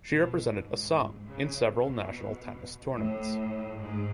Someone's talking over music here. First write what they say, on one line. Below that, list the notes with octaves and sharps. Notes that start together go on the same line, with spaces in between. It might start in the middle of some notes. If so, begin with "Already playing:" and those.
She represented Assam in several National tennis tournaments.
B2
G#2
C#3
B2
A2
G#2